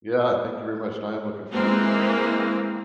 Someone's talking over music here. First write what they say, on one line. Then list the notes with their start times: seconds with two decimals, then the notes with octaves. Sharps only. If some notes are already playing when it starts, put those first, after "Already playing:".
Yeah, thank you very much, and I am looking forward to the future.
1.52 E3 G#3 A#3 C4